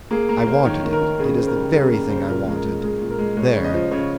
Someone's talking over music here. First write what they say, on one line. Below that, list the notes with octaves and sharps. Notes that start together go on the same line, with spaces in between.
I wanted it: it is the very thing I wanted--there.
A#3 G#4
A#3 A#4
A#3 C5
D#3 C#5
D#3
A#4
D#3
C#3 G#4
C#3 C5
A#4
G3
C#3 G#4
A#3 A#4
C#3 C5
A#2 A#4
G#3
A#4
G#3
G#3 G#4
A#2
A#4
G#3
G#3 C#5
C#3
D#5
F3
C#3 C#5